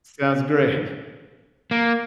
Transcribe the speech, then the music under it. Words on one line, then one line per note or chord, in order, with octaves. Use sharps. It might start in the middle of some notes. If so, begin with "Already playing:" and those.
Sounds great.
A#3